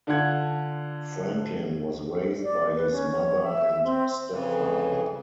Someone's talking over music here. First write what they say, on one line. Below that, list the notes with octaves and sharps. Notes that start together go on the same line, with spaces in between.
Franklin was raised by his mother and stepfather.
D3 D4 F4 F#5 G#6
D5
B4
C#4
C#5
E5
C4
F2 C#3 E3